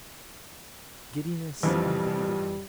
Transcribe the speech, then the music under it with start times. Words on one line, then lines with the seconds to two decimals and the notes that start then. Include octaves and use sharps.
Giddiness invaded him.
1.63 A#1 F2 E3 F3 G3